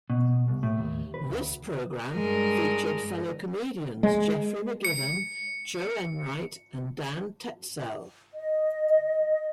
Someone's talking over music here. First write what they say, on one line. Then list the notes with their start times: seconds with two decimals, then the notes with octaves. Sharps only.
This programme featured fellow comedians Geoffrey McGivern, Jo Enright and Dan Tetsell.
0.10 B2
0.48 C2
0.63 A2
0.79 D#2
1.14 B4
1.29 D2
2.13 G2 G#3 A#4
4.03 G#3
4.85 C#7
8.35 D#5